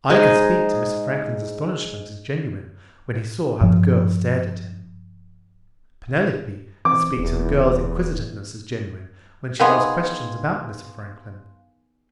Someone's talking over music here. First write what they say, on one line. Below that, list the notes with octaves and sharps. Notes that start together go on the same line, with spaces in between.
I could speak to Mr. Franklin's astonishment as genuine, when he saw how the girl stared at him. Penelope could speak to the girl's inquisitiveness as genuine, when she asked questions about Mr. Franklin.
G#3 D#4 C5 G#5
G2 F3
E3 C4 D6
D#1 E2
D#3 B3 G#4 F5 C6